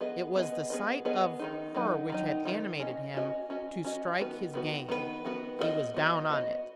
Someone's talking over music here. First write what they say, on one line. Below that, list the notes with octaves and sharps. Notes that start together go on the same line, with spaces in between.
It was the sight of her which had animated him to strike his game; he was down on it.
B3 G#4 B4 D#5
B3 G#4 B4 D#5
B3 G#4 B4 D#5
B3 G#4 B4 D#5
D#3 F#3 D#4
D#3 F#3 D#4
D#3 F#3 D#4
D#3 F#3 D#4
C#4 F#4 D#5
C#4 F#4 D#5
C#4 F#4 D#5
C#4 F#4 D#5
D#3 B3 F#4 B4
D#3 B3 F#4 B4
D#3 B3 F#4 B4
D#3 B3 F#4 B4
B3 F#4 D#5
B3 F#4 D#5
B3 F#4 D#5